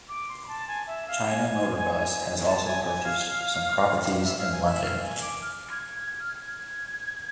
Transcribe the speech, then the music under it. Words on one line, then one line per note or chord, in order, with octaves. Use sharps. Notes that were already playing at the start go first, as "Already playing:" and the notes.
China Motor Bus has also purchased some properties in London.
D6
C6
B5
A5
G#5
E5
F5
G#5
A5
G#5
G#5
F5
E5
F5
G#5
E5
F5
G#5
D6
F6
G#6
G#6
F6
G#6